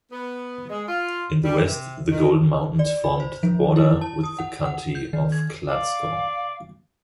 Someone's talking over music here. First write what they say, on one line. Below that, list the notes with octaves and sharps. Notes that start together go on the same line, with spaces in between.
In the west the Golden Mountains formed the border with the County of Kladsko.
B3
G#3
F4
G3
C3
D#3
D5
B5
C5
F3
E4
A5
D#6
F#5
F#5
G6
D#3
G#6
D5 F5